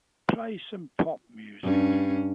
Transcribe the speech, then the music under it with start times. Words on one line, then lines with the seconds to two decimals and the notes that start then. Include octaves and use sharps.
Play some pop music.
1.62 G2 C#4